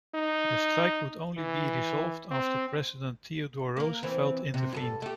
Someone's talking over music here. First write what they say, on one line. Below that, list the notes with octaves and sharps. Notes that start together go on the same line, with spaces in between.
The strike would only be resolved after President Theodore Roosevelt intervened.
D#4
E3
C4
A#3 A#4
E3 C4
C3
G2 G#4 A4
A3 G4